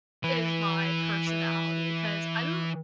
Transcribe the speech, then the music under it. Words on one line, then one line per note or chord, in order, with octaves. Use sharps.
is my personality. 'Cause I don't
E3 B4